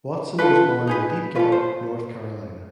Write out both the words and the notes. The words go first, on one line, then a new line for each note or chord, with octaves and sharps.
Watson was born in Deep Gap, North Carolina.
F4 A4 B4
D#4 G#4 B4
F4 A4 B4
C5